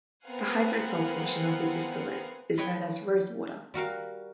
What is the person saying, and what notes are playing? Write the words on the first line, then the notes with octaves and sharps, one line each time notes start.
The hydrosol portion of the distillate is known as "rosewater".
B3 C4 A#4 F5 F#5 G#5
B4 C#5 D#5 G5
G3 F#4 A#4 F5